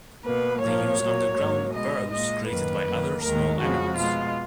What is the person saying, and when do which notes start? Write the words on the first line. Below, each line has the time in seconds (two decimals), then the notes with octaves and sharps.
They use underground burrows created by other small animals.
0.25 B2 A#3 B4
0.62 A#2 F3 A#3 C#5
0.99 A#2 F#3 A#3
1.37 G#2 F#3 A#3
1.73 B2 G#3 D#5
2.11 A#2 G#3 D#5
2.48 F#2 D#3 A#3 B4
2.85 F#2 D#3 A#3
3.22 D#2 D#3 G#3 A#4
3.59 F2 C#3 F3 G#3 F#4
3.96 B2 G#3 F4